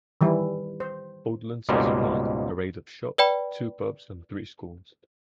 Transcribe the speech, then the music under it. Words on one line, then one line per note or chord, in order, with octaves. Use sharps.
Oatlands has a park, parade of shops, two pubs and three schools.
D#3 E3 G3 E4
C5
C#2 G#2 B2 G3 A#3
B4 D5 G5 B5